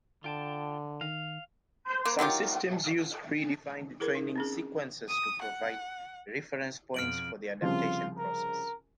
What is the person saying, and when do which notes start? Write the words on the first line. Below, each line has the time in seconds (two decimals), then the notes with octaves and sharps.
Some systems use predefined training sequences to provide reference points for the adaptation process.
0.24 D3 F4 G5 A5
1.01 D#3 F5
2.05 A#3
2.19 D#3 F#3 F4 G4
4.00 E4 G#4 A#4 B4
4.15 D#4
4.36 C4 C#4 G#4
5.08 D#6
5.42 F#5
6.94 F2 B2 F6 D7 F#7
7.62 C2 C#3 F3 F4
8.18 A#4